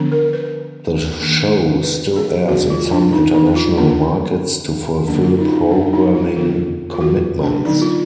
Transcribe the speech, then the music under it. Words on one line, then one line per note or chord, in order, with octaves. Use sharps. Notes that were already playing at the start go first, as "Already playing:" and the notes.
The show still airs in some international markets to fulfil programming commitments.
Already playing: D3 F3 B3 D4
A#4
B4
D#3 A#3 D4
B4
G#4
F#3 D4 F#4
F4
D4
D#4
D#4
F4
D3 F3 A#3 D4
D3 F#3 A#3 D4
F4
D#4
D#4
D4
D#4
F4
D3 F3 B3 D4 F4
F4
F#4
D4
D3 F#3 B3 D#4
F4